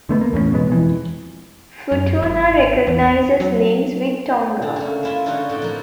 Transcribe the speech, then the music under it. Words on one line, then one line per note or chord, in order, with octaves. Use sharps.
Futuna recognizes links with Tonga.
D3 A3 B3
A#3
E2 A2 A#3 C#4
E2 B2 G#3 B3
E1 F2 E3
F#2
G#1
E2
F#3
D3
C#3 A3 A#3
G#3 A#3 E4 F4 E5
D3 C#4 D#4 F#4 A4 C#5
A2 C4 G5
F3 A#3